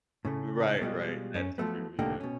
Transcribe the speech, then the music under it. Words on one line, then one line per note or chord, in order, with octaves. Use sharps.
Right, right, that's true, yep.
A2 C#3 A3
B2 G3 G#3 F4
F#2 C#4
F3 F#3 A3 B3
C2 A2 D3 D#3 A#3 G4
B2 C#4